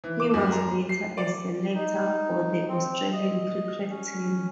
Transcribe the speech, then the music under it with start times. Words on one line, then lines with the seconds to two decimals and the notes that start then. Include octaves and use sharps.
He was later a selector for the Australian cricket team.
0.04 E3
0.20 D6
0.34 F#2
0.52 A#5
0.89 C7
1.18 D5
1.75 D#4
2.68 C4
3.12 D#5
3.89 C#4